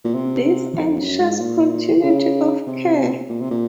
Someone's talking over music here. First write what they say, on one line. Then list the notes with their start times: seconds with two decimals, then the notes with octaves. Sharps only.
This ensures continuity of care.
0.04 A#2
0.14 C3
0.78 F2
0.98 F#2
1.20 G#2
1.41 A#2
2.03 C#3
2.67 C3
3.29 A#2
3.41 C3
3.51 A#2